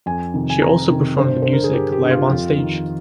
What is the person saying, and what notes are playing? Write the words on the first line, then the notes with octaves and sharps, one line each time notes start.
She also performed the music live on stage.
F2 G#5
C3 D#3
G#5
F2 A#5
C3 D#3
G2 C5
D3 C5
A#4
G#4
G2 G4
G4
D3
F4
F2 F4
D#3